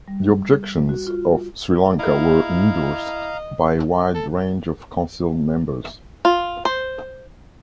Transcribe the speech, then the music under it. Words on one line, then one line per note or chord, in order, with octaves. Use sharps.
The objections of Sri Lanka were endorsed by a wide range of Council members.
G3
F#4
F4
E4 D#5 F5 A#5
A4
F4
C5